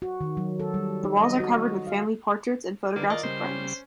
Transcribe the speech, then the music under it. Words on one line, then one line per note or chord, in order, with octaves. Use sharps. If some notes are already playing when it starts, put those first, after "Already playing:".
The walls are covered with family portraits and photographs of friends.
F#4
D#3
F#3
A4
G3
D#4
D#5
F#4
F5
D3 D#3 G3 A#3 B4 D5
F4 A#4 D5 D#5
C#3 G3 C5
C#4